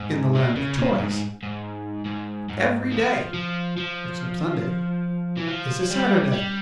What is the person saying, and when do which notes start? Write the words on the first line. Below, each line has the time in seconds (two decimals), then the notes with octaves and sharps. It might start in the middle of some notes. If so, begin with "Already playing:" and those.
In the Land of Toys, every day, except Sunday, is a Saturday.
Already playing: G#2
0.35 A#2
0.56 C#3
0.78 A#2
0.89 G2
0.99 G#2
1.10 G#2
1.43 G#2
2.06 G#2
2.50 G#2
2.92 F3
3.34 F3
3.77 F3
5.38 E3
5.49 F3
5.91 G3
6.33 G3